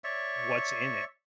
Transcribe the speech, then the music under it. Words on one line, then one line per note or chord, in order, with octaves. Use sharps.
what's in it.
C#5 D5 E5 C#6